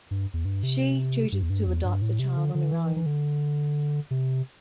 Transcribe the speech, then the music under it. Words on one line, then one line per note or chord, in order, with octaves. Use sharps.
She chooses to adopt a child on her own.
G2
E2
G2
C3
G2
E2
G2
E2
G2
A2
C3
D3
D3
E3
E3
D3
C3